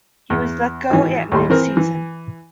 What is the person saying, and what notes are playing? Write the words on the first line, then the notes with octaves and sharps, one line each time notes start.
He was let go at mid season.
E2
G#1 E3
D#2 A2 G3 C6
E3 C4 A#4
E3